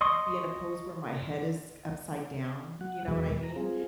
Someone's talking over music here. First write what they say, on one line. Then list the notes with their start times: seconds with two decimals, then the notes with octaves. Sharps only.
be in a pose where my head is upside down. You know what I mean?
0.01 D#5 C6 C#6 D#6
2.81 F#3 F#5
3.08 E2 B2 F#3 G#3 B4
3.43 A#5
3.56 C4 F4 G#4